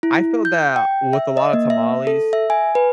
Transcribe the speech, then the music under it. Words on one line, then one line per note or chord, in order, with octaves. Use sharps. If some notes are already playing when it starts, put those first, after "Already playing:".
I feel that, with a lot of tamales,
E4
G6
G5
E5
D#5
A#3
E5
A4
E5
G#5
B4